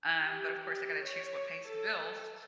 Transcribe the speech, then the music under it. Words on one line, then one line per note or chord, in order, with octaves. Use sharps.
Um, but of course, I've gotta choose what pays the bills.
G4
C#5
A4